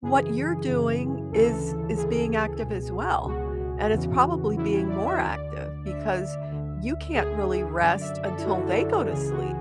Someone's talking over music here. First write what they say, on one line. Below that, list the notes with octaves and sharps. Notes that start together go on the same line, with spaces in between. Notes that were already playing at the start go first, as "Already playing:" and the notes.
what you're doing is is being active as well, and it's probably being more active because you can't really rest until they go to sleep.
F#2 C#3 E3 G#4
F#2 C#3 E3
D2 C#3 E3 A4
D2 C#3 E3 G#4
C#2 B2
C#2 B2 F#4
E2 C#3 E3
E2 C#3 E3 E4
E4
D5
E5
D2 D3 D5
D2 D3 E5
D2 D3
D2 D3 G#4
F#2 D3 D5
E5
A4
E4
F#2 D3 F#4
A4
A4
C#2 C#3 E3 G#4
F#4